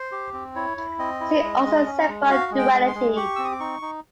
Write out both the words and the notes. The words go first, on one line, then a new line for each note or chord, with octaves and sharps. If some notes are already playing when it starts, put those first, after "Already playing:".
See also Seiberg duality.
Already playing: C5
G4
C4
E4 C#5
E4
C4 D#5
E4
G#3
G#3
C#4
G#3
F#4 F5
G#3
G5
G#3
C6
G#3
G4 C#6
C4 E6
D#6
D6
D#4 C#6
D#4